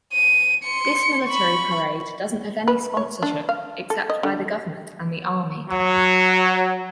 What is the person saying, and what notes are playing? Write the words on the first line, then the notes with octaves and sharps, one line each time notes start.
This military parade doesn't have any sponsorship except by the government and the Army.
D#7
C6 C#7
B5 C#6
B4
C#5
D4
F5
A4
D#5
D3
F#3